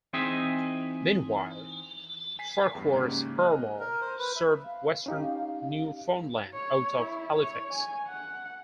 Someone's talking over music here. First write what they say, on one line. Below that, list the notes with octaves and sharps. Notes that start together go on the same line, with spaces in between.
Meanwhile, Farquhar's Harlaw served western Newfoundland, out of Halifax.
E3 C4 D#4 G#4 D#5 E5
G#5 B6 C7
E2 G2
G#2 C#3 A#3 C#4 G4
D#5 F6 F#6
A#4
C5
B4
E5
F5
C#4 D#4 G4
C#5
E4
C#5
G#5
F#5